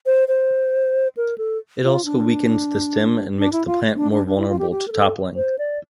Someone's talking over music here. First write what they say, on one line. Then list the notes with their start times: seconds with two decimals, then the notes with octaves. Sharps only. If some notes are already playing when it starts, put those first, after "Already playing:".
It also weakens the stem and makes the plant more vulnerable to toppling.
0.06 C5
0.28 C5
1.17 A#4
1.38 A4
1.83 F4
2.05 D4
3.38 D4
3.52 E4
3.66 F4
3.96 D4
4.11 D4
4.27 D4
4.38 E4
4.48 F4
4.59 G4
4.71 G4
4.88 A#4
4.92 A4
5.36 C5
5.59 D5